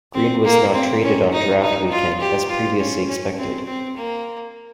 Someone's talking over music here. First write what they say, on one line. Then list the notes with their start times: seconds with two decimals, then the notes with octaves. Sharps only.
Green was not traded on draft weekend as previously expected.
0.14 C4
0.44 A#3
0.73 C4
1.03 C#4
1.32 D#4
1.62 D#4
1.91 F4
2.20 G4
2.49 F4
2.79 C#4
3.08 C#4
3.38 C4
3.66 C4
3.96 A#3